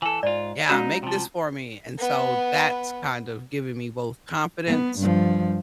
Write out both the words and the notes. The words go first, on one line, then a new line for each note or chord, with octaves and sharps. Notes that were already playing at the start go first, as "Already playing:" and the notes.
Yeah, "Make this for me," and so that's kind of giving me both confidence
E3 A4 G#5
G#2 F4 D5
G#3 C#4 D#4 F#4
C3 F3
B3 B4
B3
G2 F3